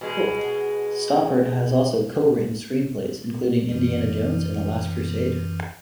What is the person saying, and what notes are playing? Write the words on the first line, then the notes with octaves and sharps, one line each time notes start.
Stoppard has also co-written screenplays including "Indiana Jones and the Last Crusade".
B2 G#3
F#2 E3